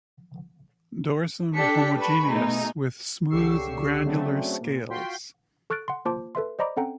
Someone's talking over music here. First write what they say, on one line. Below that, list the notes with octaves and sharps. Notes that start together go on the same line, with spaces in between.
Dorsum homogeneous with smooth granular scales.
D4 G4 A4 G5 B6 C#7
B4 A5 B5 C#6
B2 A3 D#4 G#4
C#2 D3 G4 C#6 E6 C7
C#3 F#3 A3 C4 D4
A#2
F4 F#4 G5 C6 B6
A4 C#6 F6 F#6 A6 D7
F#5 C6
A#3 F4 C5 A5 D6
A4 B4 E5 C6
C5 D5 D#5 A#5 B5 D6
C4 C#4 A4 F#5 G5 A#5